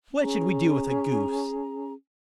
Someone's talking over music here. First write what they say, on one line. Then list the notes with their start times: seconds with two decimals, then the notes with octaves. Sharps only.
What should we do with a goose?
0.20 C#4 G#4 A#5